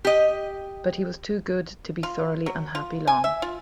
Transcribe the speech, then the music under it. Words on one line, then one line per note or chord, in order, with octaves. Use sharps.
But he was too good to be thoroughly unhappy long.
G4 D#5
F4
F#3
F4
G#5
E5
F4